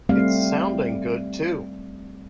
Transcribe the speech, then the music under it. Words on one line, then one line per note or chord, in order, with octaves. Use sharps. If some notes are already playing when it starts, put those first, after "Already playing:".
It's sounding good too.
G3 A3 C4 F5